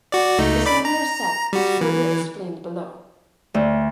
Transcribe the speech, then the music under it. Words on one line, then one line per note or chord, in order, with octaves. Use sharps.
The singular set is further explained below.
F#4 D5
C#2 A3 D#4
D5 B5 D6
A#5
G3 F#4
E3
D2